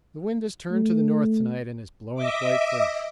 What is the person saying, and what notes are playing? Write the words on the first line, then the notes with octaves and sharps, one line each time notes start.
The wind has turned to the north to-night and is blowing quite fresh.
A3
D#5 E5 D6